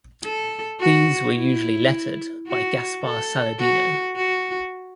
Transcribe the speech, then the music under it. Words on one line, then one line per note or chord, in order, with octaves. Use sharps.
These were usually lettered by Gaspar Saladino.
A4
F#4
E4
F#4
A4
F#4
F#4